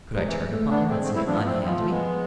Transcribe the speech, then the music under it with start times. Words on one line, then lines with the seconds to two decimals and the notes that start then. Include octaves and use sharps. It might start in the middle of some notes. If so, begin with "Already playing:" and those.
Could I turn upon her and say "Unhand me"?
0.14 C3 G#3
0.26 C3 E3
0.52 A3
0.70 B3 D4
0.89 G#3 A3 C4
1.02 A3 C4
1.15 C4 E4
1.27 F3 B3 D4
1.40 B3
1.45 A3 C4
1.64 F3 G#3 B3
1.78 F3 A3
1.90 G#3 B3